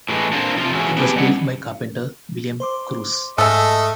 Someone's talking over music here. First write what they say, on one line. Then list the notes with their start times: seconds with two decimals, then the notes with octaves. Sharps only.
It was built by carpenter William Cruse.
0.09 A2 E3 G#3
0.33 A#3 C4 D4 F4
0.56 C3 F3 F4
0.74 E3 F#3 G#3 C#4 E4 F#4
0.97 B3 D4 G4 G#4
1.15 B2 G3 F#5
2.60 C5 C6 D6
3.38 G#2 C#3 A3 A4 D#5 A5 F6